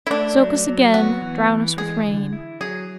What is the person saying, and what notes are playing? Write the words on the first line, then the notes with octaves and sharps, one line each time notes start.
"Soak us again-- Drown us with rain!"
E4
A3 D4
F#3
F#3
B3 F#4
E3
E3
G#3 G#4
D3
E4
F#3 G#4